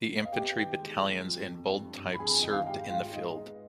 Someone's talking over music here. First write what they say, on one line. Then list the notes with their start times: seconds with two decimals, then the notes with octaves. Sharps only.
The infantry battalions in bold type served in the field.
0.09 B3
0.18 D#5
0.25 F5
0.32 B3 G4 G5
0.56 D#3
0.79 G#3
1.02 F3
1.26 F2
1.49 F2
1.72 G2
1.95 G2
2.14 B5
2.19 F2 G#4 G#5
2.39 D#3 D#5
2.52 F5
2.66 G#2 G4 G5
2.89 G#2 F4 F5
3.12 G#3 D#4 D#5
3.35 B3